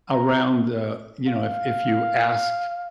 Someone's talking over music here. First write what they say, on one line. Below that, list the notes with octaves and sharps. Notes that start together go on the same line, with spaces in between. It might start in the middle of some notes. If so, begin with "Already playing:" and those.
around the you know if if you ask,
A#5
F5